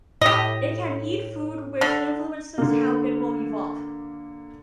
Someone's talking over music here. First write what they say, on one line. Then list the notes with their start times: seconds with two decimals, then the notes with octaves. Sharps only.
It can eat food which influences how it will evolve.
0.21 A2 G4 D#5
1.81 D3
2.58 D3 A#3